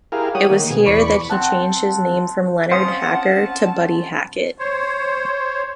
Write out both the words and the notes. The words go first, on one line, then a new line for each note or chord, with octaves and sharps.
It was here that he changed his name from Leonard Hacker to Buddy Hackett.
E4 G4 G#4 A#4 F5
G3 G4 C#5 F#5 D#6
D#3 A#3
B2 G#4
E2 D5 B5 C#6
C4 F#5 A5
C4 C#4 F4 C5 F5 F#5 A5 D#6
C5 C#5